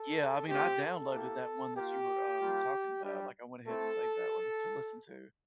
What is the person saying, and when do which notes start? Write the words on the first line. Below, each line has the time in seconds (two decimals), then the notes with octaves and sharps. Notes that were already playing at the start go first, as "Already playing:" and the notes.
Yeah. I mean, I downloaded that one that you were, um, talking about. Like, I went ahead and saved that one to listen to
Already playing: A4
0.48 A3 C4 F4 G4
0.80 A4
1.13 A#3 E4 G4
1.76 A#3 F4 G4
2.40 G3 A#3 F4
3.04 G3 D4 G4
3.67 A3 C4 E4 A4